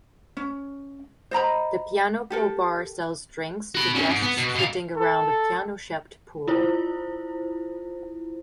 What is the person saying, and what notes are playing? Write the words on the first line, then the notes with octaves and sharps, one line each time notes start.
The Piano Pool Bar sells drinks to guests sitting around a piano-shaped pool.
C#4
C5 D#5 A#5 B5
G4 A4 A#4
F#4 B5
D3 C#4
G#2
B3
B2
B2 F5
A4
E4 F4 C5